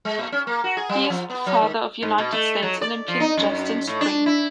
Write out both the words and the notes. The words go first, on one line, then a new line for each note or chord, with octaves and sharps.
He is the father of United States Olympian Justin Spring.
G#3
A#2
C#4
A#3
F#4
G#4
G3
F3
B3
F#3
D#3
G#2
B2
A3
F#3
D5
F3
D#4
F#2
A2
D4
E4